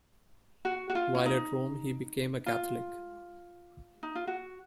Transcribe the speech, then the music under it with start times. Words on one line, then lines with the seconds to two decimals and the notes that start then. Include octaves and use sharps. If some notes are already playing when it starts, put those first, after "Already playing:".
While at Rome he became a Catholic.
0.65 F#4
0.90 F#4
0.95 F4
1.15 C#4
1.26 D#4
2.46 F4
4.03 D#4
4.15 F4
4.27 F#4